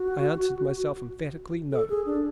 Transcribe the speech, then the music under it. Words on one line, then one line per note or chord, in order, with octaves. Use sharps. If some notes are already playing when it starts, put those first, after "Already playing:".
I answered myself emphatically, no.
Already playing: F#4
A4
G#4
D4